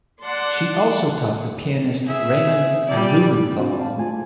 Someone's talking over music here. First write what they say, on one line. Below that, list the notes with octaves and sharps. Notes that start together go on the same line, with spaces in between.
She also taught the pianist Raymond Lewenthal.
D5 F#5 A5 C6
G#4 E5
G3 D5
C4 D4 F#4 C5
F5 A5
G#3 A3 F4 G#5